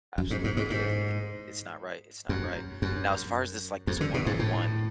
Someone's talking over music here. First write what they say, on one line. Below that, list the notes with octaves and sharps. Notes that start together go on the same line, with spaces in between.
absolutely. Yeah, it it's not right it's not right. Now as far as this, like, this one-on-one,
F#2
G#2
G#2
G#2
G#2
F#2
F#2
F2
D3
B2
G#2
A2